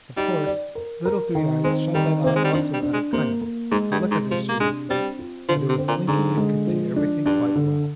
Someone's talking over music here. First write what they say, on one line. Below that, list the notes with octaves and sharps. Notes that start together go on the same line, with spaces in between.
Of course Little Three-eyes shut that eye also out of cunning, to look as if she were asleep, but it was blinking and could see everything quite well.
G3 D#4
D5
A#4
A#4
D#3
G#3 C4
D#3 G3
A#3 C4
G#3
G3
F3 D4
G3
D4
G#3
C3 A#3
A#3
G#2 G#3
G2
G#3
G#2
C3 F3
A#3
G#3 D4
G3 C4
F4
D3 F3
C3
C4
A#2
G#2 D3
G#3
F3
D4
G2 D4
D3